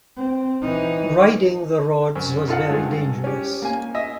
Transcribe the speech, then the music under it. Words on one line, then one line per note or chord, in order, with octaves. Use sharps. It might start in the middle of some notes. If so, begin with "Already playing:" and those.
Riding the rods was very dangerous.
C4
E3 D#4
F#2
D#4 F4 A4 F5 F#5
G2 G#3 G#4
C#4 G4
A#3 G#5
D#5 E5